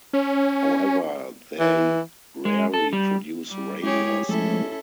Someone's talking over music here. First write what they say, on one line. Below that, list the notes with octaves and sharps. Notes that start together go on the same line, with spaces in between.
However, they rarely produce rain or snow.
C#4
E3
G#3
A4
G3
G3
G#3 E4 G4 G#4 C#5
F3 G#3 A3 C#4 E4 A4